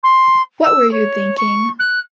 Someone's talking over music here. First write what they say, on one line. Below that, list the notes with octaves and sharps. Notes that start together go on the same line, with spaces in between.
What were you thinking?
C6
E6
C#5
C#6
F#6